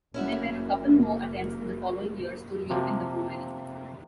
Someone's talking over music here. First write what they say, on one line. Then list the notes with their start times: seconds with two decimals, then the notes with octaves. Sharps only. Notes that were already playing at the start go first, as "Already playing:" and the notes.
There were a couple more attempts in the following years to reopen the brewery.
0.14 F#1 A#3 C#4 E4 F#4
2.70 C3 F3 A#3